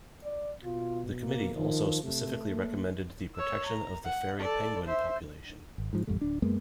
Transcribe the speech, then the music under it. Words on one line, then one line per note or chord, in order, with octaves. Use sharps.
The Committee also specifically recommended the protection of the fairy penguin population.
D5
B2 F4
A#3
D#3 F3
C3 A3
A#3
C#5 E6
A#5
F#5
A4 D5
C5 E5
G#1
G#2 F3
A1 F2 G3 A3
D1 D4
F#2 G#3 A#3 B3